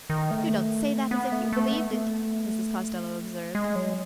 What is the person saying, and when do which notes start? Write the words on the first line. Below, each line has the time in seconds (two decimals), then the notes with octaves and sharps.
"You don't say that as if you believed it," Mrs. Costello observed.
0.10 D#3
0.31 A3
1.11 B3
1.32 A3
1.53 A3
1.73 B3
1.93 A3
3.55 G#3
3.75 F#3